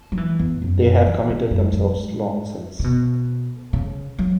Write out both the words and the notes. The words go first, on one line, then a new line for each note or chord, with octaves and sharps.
They have committed themselves long since.
F#3
E3
E2
F#2
F#2
E3
C#3
F#2
F#2
G#2
C#3
B2
C#3
F#3